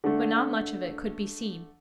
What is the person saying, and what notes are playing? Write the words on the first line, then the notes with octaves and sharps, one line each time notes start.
But not much of it could be seen.
D3 A3